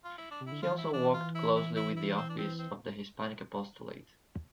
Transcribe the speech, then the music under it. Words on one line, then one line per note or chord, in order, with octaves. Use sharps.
He also worked closely with the Office of the Hispanic Apostolate.
F4
E4
D4
C3
E4
D3
D3 F4
E3
E4
E3 D4
F4
E4
E4
E4
E4
C4
D4
C4
C4